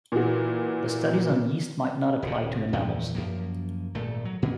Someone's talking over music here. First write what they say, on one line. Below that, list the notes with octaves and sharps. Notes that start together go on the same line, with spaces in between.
The studies on yeast might not apply to the mammals.
A#2 E3 F#4
D#1 C#3
E2 A#2 E3 F3
F#2 F3 A#3
G#1 A#2 A3
F#3
A#2 A#3 B3